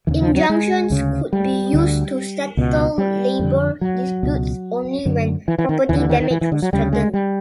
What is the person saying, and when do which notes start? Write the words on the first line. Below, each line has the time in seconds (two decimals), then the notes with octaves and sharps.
Injunctions could be used to settle labor disputes only when property damage was threatened.
0.07 D#2 C#3 E3
0.22 F3
0.35 F#3
0.50 G#3
0.90 D2 C#3
1.33 G3
1.73 D2 D3
2.57 C#2 B2
2.98 G3
3.39 F2 D3
3.81 F#3
4.23 C#2 B2
5.05 F#2 D3
5.48 E3
5.58 E3
5.69 D#3
5.89 D#2 D3 E3
5.99 E3
6.09 D#3
6.21 D#3
6.31 E3
6.41 E3
6.52 D3
6.62 F#3
6.73 D2 C#3 G3
6.93 G#3
7.14 G3